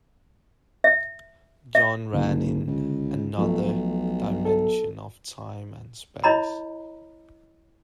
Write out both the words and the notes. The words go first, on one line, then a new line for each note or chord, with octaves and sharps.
John ran in another dimension of time and space.
E5
E5
F#1 C2 D3
C#2
B1 F3 A3
A4
E4 C#5 D#5 A#5 B5